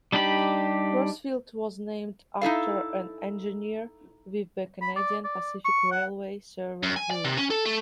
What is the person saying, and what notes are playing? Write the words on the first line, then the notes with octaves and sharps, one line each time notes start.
Crossfield was named after an engineer with the Canadian Pacific Railway survey crew.
G3 D4 D#4 G4 B5
D#4 E4 A4 F5
B5
D5
D5
C#6
F#5
F#2
G#5
D5
C3
C#4
A4
A3